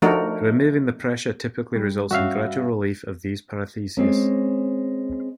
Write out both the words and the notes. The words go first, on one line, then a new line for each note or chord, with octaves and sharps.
Removing the pressure typically results in gradual relief of these paresthesias.
F3 A3 D4 D#4 F#4 A#4
G3
G2 C#4 F#4 E5 F5
G#3 C4 C#4